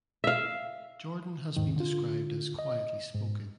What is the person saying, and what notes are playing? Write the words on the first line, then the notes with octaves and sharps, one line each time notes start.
Jordan has been described as "quietly spoken".
E5 F5
E2 G#2 D#3
D3 F4
D#5
G#2